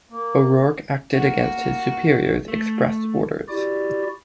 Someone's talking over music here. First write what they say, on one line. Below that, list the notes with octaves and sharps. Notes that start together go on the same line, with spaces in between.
O'Rourke acted against his superiors' express orders.
A#3
A#3 F#4
A3
E4 F#4 G4 D5